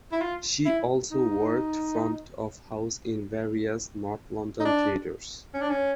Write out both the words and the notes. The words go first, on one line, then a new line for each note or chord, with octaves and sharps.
She also worked front of house in various north London theatres.
E4
F4
E4
D#4
D#4
D4
C#4
D4
C#4